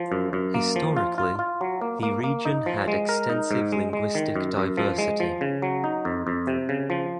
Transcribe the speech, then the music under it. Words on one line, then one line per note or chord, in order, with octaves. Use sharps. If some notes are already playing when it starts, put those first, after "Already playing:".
Historically, the region had extensive linguistic diversity.
Already playing: F3
F#2
F#2
A#3
F3
F4
F4
F4
F#3
A#3
A#3
A#3
D#4
F3
G#3
A#4
D#4
G#2
G#3
G#3
D#3
F#2
F#2
F3
G#3
F3
C#3
F#3
D#4
F2
F2
C3
C#3
F3